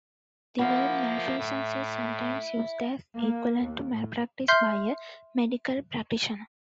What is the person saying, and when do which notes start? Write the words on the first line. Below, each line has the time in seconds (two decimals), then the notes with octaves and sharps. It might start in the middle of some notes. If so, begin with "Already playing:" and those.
The word malfeasance is sometimes used as equivalent to malpractice by a medical practitioner.
0.59 F3 A#3 E5 F#5 B5
1.38 A2
3.16 A#3
3.59 D#2
3.91 A2
4.48 E5 C6 F6 G6 C7